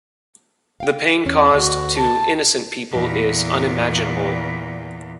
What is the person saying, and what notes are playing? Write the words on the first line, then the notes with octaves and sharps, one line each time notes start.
The pain caused to innocent people is unimaginable.
F5 G5
E2 C#4
D2 F#4
A5
E2 A#2